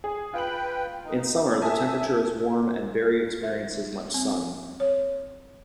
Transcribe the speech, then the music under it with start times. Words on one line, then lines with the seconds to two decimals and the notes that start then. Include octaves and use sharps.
In summer, the temperature is warm and Bury experiences much sun.
0.04 G#4
0.34 F4 B4 G5 F#7
1.05 D#4
1.62 E5 G#5 A5 D#6
3.43 E5
4.14 C4
4.80 C#5